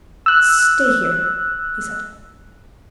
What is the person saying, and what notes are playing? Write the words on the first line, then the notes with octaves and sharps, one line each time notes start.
"Stay here," he said.
E6 F#6